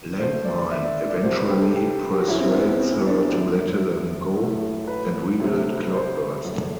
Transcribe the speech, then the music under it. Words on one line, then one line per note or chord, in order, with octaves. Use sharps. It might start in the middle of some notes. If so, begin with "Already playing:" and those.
Landmine eventually persuades her to let them go and rebuild Cloudburst.
D2 D3 A3 C5
C5
D5
D5
E5
D5
D5
D5
C2 C3 G3 C5
B4
G4
A4
G4
G4
F#4
F#1 F#2 E3 E4
C4
B3
B3
C4
C4
D4
G4
G1 F#2 F#3 A3 A4
A1 A2 F#3 A3
B4
D2 C3 F#3 A3
C5
F#1 F#2 D3 A3